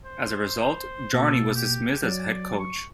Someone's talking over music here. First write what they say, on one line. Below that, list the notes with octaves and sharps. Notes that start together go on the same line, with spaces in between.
As a result, Jarni was dismissed as head coach.
C5
B2 A#3 A4
G4
F#3 D5
C#6